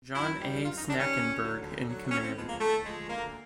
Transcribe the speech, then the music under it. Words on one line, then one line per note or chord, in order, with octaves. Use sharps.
John A. Snackenberg in command.
F#2 E4
D#3 G3
F#2 F4
D#4
D#3 G3 D4
C#4
D2
D3 F#3
D2
D3 F#3
A2 C#4
C4
F3 G#3 B3
A#3
A2 A3
F3 G#3
D2 A#3